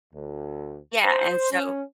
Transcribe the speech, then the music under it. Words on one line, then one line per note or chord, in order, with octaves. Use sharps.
Yeah, and so
D2
C5
C#4